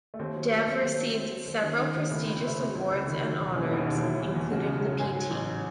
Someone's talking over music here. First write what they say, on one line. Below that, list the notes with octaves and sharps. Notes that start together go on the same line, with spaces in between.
Dev received several prestigious awards and honors including the Pt.
A3
D#2 C4
F#3
F#3
D#2
D#2
F#3
F#3 C4
F#3
D#2
D#3 C#4
D#3 C4
D#2
C#2 A3
C4
C#2
C4
C3 A3
C3 C4
C#2
C#2
D#3
F#3
E1
D#2 C#4
E1 D#4
D#2
F#3 E4
E2
E2
C#3 F#4
C#3
F#3
G#2 G#4
F#3
A1